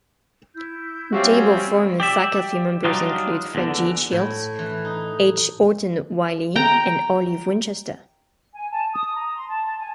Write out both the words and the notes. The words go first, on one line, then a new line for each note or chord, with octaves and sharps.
Notable former faculty members include Fred J. Shields, H. Orton Wiley, and Olive Winchester.
E4 G6
G3 C4 C#4 F#4 G4 E5 F5
G4 D5 E5
F#3 G3 D4 D#4 F4
E2 D3
A2
E3
D#4
G5 A#5
G#5
A5
D#6
A#5
C6
A5
A5
G#5